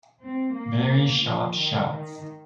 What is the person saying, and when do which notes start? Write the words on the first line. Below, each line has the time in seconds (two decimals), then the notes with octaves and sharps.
Very sharp shouts!
0.21 C4
0.54 A#3
1.20 F3
1.54 D#3
1.87 D#3